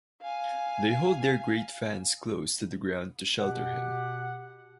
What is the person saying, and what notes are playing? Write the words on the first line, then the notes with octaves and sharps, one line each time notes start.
They hold their great fans close to the ground to shelter him.
F5 G#5
B2 G4 F#5